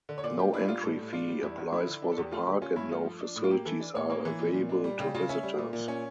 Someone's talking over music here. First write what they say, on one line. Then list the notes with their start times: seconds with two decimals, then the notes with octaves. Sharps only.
No entry fee applies for the park and no facilities are available to visitors.
0.09 D3
0.18 C#5
0.24 A#2 D5
0.38 A#2 G4
0.54 D4 E4
0.68 G3 F4
0.83 A2 A4
0.99 A2
1.13 D4 F4
1.28 G3
1.43 E2 E4
1.58 E2
1.72 F3 E4
1.87 D3
2.02 D4
2.12 A4
2.18 E2 G4
2.31 A3 F4
2.47 D3 G4
2.62 C#4 F4
2.76 G2 E4
2.91 A3 F4
3.06 F3
3.21 D4
3.36 A2
3.44 F4
3.51 A#3 G4
3.65 E3 A4
3.80 D4
3.95 A2 C#5
4.10 A#3 C#5
4.25 E3
4.39 A#2
4.54 A#2
4.69 D4
4.84 G3
4.99 C#3 G4
5.14 C#3 F4
5.29 C#4 E5
5.43 G3
5.58 A#2
5.73 A#2
5.88 C#4